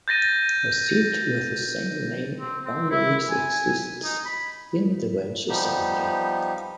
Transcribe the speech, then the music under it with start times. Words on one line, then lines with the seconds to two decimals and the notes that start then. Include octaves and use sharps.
A seat with the same name and boundaries exists in the Welsh Assembly.
0.08 G6 A6 A#6 D#7
2.39 C4
2.65 C4
2.90 E4
3.30 G#5
4.04 D#4
4.26 B5
5.49 F3 G3 B3 D#4 G4